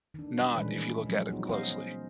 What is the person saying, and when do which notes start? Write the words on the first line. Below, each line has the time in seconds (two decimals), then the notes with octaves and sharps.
not if you look at it closely.
0.14 D#3 D4
0.40 G3
0.55 A#2 D#3 E3 G#3 C#4 B4
1.05 F3 F#3 G#3 C4
1.30 B3 D#4 F#4
1.49 C#4 C5 D#5 F5